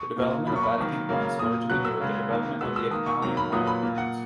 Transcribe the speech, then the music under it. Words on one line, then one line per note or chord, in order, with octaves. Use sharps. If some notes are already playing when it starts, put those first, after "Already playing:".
The development of Vatican coins largely mirrored the development of the Italian lire coins.
Already playing: C#6
A#2 A#3
B2 F#3 A#3 B5
C#6
B5
D#3 F#3 A#3
C#3 F#3 A#3
A#2 A#3 D#6
B2 F#3 B3 F#6
E6
C#3 G#3 B3
D#3 A#3
B2 G#3 B3 E6
E6
D#3 A#3 D#6
C#6
D#3 F#3 A#3 A#5
B5
A#2 F#3 B3 D#6
B5
A#2 A#3
F#5